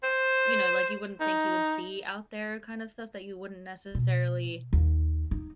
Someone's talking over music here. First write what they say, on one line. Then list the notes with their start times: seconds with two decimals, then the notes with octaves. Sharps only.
you know, like, you wouldn't think you would see out there kind of stuff that you wouldn't necessarily
0.03 C5
1.20 D#4
3.95 B2
4.73 D#2
5.31 D#4